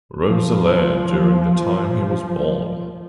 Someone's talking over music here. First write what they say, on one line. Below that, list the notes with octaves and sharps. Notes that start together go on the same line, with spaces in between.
Roeselare during the time he was born.
F3